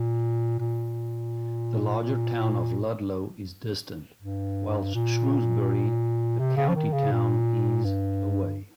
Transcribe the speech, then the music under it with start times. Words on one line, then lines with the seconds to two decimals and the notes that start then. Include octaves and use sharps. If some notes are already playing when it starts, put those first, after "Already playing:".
The larger town of Ludlow is distant, whilst Shrewsbury, the county town, is away.
Already playing: A#2
0.59 A#2
4.22 G2
4.94 A#2
6.39 C3
6.57 C#3
6.68 F3
6.76 D#3
6.93 C#3
7.12 A#2
7.85 G2